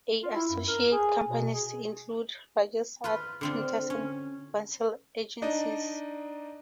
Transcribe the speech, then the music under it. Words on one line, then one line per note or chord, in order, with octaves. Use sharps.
Associate companies include Rajes Art Printers and Vansal Agencies.
F4
E4
F#2
A#4
G#4
B2
G#4
F4 B4
D3 C4 F4
C#4
D4 D#4 D5 D#5